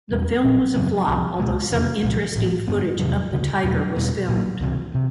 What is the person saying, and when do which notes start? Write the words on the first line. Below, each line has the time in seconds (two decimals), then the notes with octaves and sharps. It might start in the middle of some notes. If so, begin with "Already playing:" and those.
The film was a flop, although some interesting footage of the tiger was filmed.
0.11 E2 B2 G3
0.44 A#1 A#2 F#3
0.75 F#2 C#3 F#3 B3
1.08 C2 C3 F3
1.39 C#2 B2 G#3
1.72 F1 E2 C3 E3
2.03 C2 A#2 F3
2.35 A1 A2 F3
2.68 G2 D3 G3 B3
2.99 E2 C3 D#3 F#3
3.31 E1 D2 C#3
3.64 E2 B2 F#3 A3
3.96 E2 B2 G3
4.28 A#1 A#2 F#3 A#3
4.60 C#2 C3 E3
4.94 C3